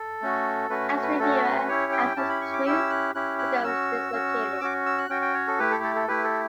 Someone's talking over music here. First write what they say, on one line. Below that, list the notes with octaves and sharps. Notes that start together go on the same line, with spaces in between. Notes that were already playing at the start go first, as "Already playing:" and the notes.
As the viewer, access to truth becomes dislocated.
Already playing: A4
A3 C#4 F#4
A3 C#4 F#4 B4
B4
A3 C#4 F#4 A4
B4
C#4 E4 G4 C#5
G5
C#4 E4 G4 A5
B5
C#6
D6
C#4 E4 G4 E6
F#6
C#4 E4 G4 F#6
F#6
C#4 F#4 E6
C#4 F#4
C#4 F#4 D6
E6
F#6
C#4 F#4 G5
G5
C#5
A4
A3 E4 G4 B4
A4
A4
A4
A3 E4 G4 B4
A4